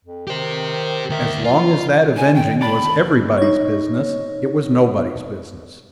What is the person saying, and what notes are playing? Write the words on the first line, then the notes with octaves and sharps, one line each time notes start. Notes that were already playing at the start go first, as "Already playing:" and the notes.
As long as that avenging was everybody's business it was nobody's business.
F2
D#3 G4 C5
D2 D#3 E5
F#3 F4
G#5
D#3 G5
D5 A5 B5
D#2
D#4 C#5